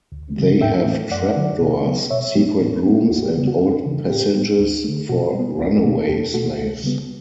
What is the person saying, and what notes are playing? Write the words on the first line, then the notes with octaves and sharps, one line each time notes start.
They have trap doors, secret rooms, and old passages for runaway slaves.
D2
C#3 E3 G3
A2 E5 G5
E3 A3
F#2 D5 F#5
D3 F#3
B2
F#3 B3
B2 C#5 E5
F#3 B3 G4
A2
G3 B3
E2 F#4
G4
C#3 G3 B3
F#4
E2
C#3 E3
A2 G4
G3 B3
D2
D3 A3
B2 F#4
G3 B3
C#2 F#4
B2 A3
A4
E2 G4
B2 A3 F#4 A4
C#2
C#3 G3 B3